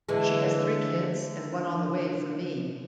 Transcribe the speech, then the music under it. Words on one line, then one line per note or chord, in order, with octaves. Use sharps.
She has three kids and one on the way for me.
D3 E3 G#3